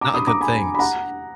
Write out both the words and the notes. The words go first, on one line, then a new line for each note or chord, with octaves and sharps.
not good things,
A#5 D6
B5 D#6
A#5 D6
G#5 B5
B5
F#5 A#5